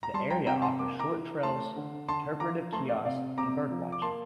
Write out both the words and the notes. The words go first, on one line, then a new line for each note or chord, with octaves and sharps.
The area offers short trails, interpretive kiosks, and birdwatching.
A#5
G3 A5 C6
G5 A#5
C3 G5 A#5
A5 C6
A#3 D6
A#5 D6
E3
A3 A5 C6
D3
D3 A5 C6
F3 A#5 D6
A3 A5 C6
D5 F5
C3 D5 F5
C3 A#5 D6
F3
D6
A#3 A5 C6